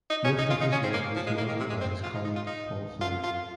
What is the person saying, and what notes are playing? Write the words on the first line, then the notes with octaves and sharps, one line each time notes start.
Most of his work was modeled by his colleague Paul Fleming.
D#4
C#4
D#4
F4
D#4
C#4
C4
A#3
F3
G#3
A#3
D#3
C3
G#3
C4
F4
D#4
D#4
F4
D#4
F4
F4